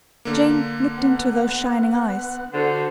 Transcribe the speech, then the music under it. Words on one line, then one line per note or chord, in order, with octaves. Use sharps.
Jane looked into those shining eyes.
D3 A#3
B3 F#5
D3 F#4 C5